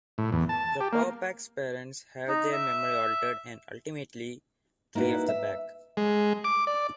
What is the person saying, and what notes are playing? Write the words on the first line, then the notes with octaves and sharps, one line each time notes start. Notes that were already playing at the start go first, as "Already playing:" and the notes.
The Power Pack's parents have their memory altered and ultimately, three of the Pack.
A2
E2
A5
G4
A#3
D#4
E5
A#3 D#4 E4 F#4 B4
E5
G#3
D6
D5